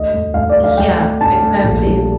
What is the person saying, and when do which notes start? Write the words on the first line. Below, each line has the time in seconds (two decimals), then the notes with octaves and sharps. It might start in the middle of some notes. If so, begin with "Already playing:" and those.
Yeah. Exactly, it's
Already playing: D2 D#5
0.13 D2
0.34 D2 F5
0.50 D5
0.56 D2
0.64 F5
0.77 D2 G5
1.00 A3
1.21 D3 A5
1.42 A3
1.63 A#1
1.84 G3